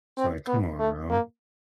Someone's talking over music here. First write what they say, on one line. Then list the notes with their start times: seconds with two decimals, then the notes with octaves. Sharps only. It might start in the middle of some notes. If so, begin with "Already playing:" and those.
It's like, come on now,
0.18 C4
0.48 B3
0.80 A3
1.10 A#3